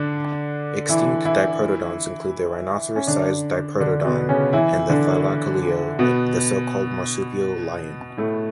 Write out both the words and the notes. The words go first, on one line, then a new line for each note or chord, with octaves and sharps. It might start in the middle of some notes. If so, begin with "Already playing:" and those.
Extinct diprotodonts include the rhinoceros-sized "Diprotodon", and "Thylacoleo", the so-called "marsupial lion".
Already playing: D3 D4
E3 E4
E3 E4
C#4
D3 D4
D3 D4
B2 B3
C#3 C#4
E3 E4
D3 D4
B2 B3
A2 A3